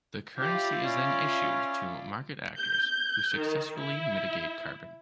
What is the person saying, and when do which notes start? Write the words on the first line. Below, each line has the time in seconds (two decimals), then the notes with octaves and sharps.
The currency is then issued to market actors who successfully mitigate carbon.
0.39 E4 F4 G4 D5
0.83 C#4
2.56 G6
3.37 D#3
3.80 E4